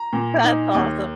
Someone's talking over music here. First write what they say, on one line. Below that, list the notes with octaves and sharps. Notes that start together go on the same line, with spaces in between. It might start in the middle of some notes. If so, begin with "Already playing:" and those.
That's awesome.
Already playing: A#5
A#2
D#4
D#2